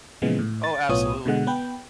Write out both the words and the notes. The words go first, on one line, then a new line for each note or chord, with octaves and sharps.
Oh, absolutely.
A#2 C#3 E3 F3 G#3 B3
A2
A6
B1 A2 B3 F4 C#5 D#6
B2 D3 G#3 F#5
B3 B4 G5